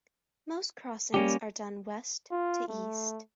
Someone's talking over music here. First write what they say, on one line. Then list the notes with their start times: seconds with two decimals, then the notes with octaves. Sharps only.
Most crossings are done west to east.
1.14 G3 A#3 C#4 G4
2.31 F4
2.68 A3